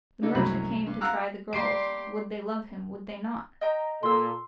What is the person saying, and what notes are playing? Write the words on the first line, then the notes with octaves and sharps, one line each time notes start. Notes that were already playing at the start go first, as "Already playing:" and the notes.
The merchant came to try the girls: Would they love him, would they not?
C#3 D4 D#4 A4
C2 F#2 A2 F#3 G#3 B5
G2
F5 F#5 A#5 E6 F#6
G3 A#3 G4 C6 C7 D7
D#5 G5 A#5
A#2 A4 C6 E6